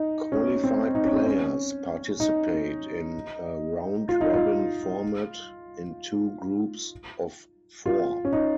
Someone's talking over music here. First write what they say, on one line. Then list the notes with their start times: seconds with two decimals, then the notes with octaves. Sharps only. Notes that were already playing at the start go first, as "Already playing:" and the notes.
Qualified players participate in a round-robin format in two groups of four.
Already playing: D#4
0.32 C#4
0.64 C4
0.95 D#4
1.05 C#4
1.16 C4
1.27 C#4
2.20 D#4
4.09 F4
4.21 D#4
4.34 F4
7.86 F4
8.25 C#4
8.33 D#4